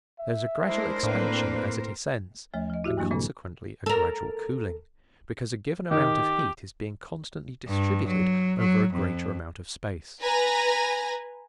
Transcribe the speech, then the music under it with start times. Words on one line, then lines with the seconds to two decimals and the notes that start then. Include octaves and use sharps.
There is a gradual expansion as it ascends, and consequently a gradual cooling, because a given amount of heat is being constantly distributed over a greater amount of space.
0.19 E5
0.67 G#3 D4 E4 A#4 C5
1.03 A2 A#3 C4 D4 B4
2.54 D#2 F3 A3 C#5
2.70 F3 D#5
2.84 E4 F#4 G4 E5
2.97 G2 E3 F#3 A#3 D4
3.11 A#2 C#3 A#3 C4 A4 G#5
3.86 A4 A#4
5.91 D#3 G4
7.68 G2
8.08 F#3
8.59 F#3
8.94 F2
10.21 B4 G#5 A#5 A#6